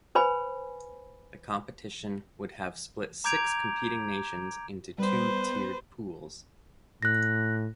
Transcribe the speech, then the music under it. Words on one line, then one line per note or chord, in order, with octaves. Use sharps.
The competition would have split six competing nations into two tiered pools.
B4 C5 G#5 B5
A#5 D6 G6 G#6 D7 F7
G3 B3 B4 C5
A2 F#6 A#6